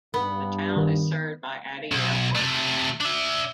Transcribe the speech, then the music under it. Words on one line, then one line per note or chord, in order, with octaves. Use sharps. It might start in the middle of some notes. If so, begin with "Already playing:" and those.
The town is served by Ati Airport.
G2 B3
D#3
B1
C3 A3
D4 E5